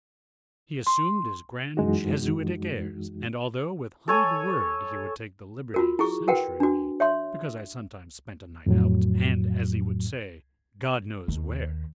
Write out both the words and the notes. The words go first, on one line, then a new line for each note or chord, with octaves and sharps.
He assumed his grand jesuitic airs, and, although with honeyed word he would take the liberty of censuring me because I sometimes spent a night out, and, as he would say, "God knows where!"
C6
F#2 E3 G#3 D#4 F#4
A4 C#5 G#5
F4 F#4 A#4
E4 G#4 C#6
F#4 A#4 B4 F#5 G5
D4 F#4
C#5 E5 C6
F2 A2 F#3
D#2